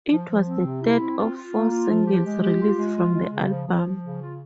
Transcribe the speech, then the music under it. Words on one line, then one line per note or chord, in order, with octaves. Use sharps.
It was the third of four singles released from the album.
F3
F3
C4
C3
E4
C4
F4
F4
A#3
F4
F3
G4
G#3
G4
F4
G#3
F4
G#3
C#3
F3
F3
F3
C#3
F4